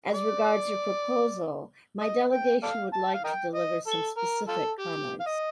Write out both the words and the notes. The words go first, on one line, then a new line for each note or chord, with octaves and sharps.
As regards your proposal, my delegation would like to deliver some specific comments.
D5
D#5
G5
A4 D5 F5
A5
F5
A#4 D#5 G5
D#5
A4
A#4
F4 A4
G4
F5
D#5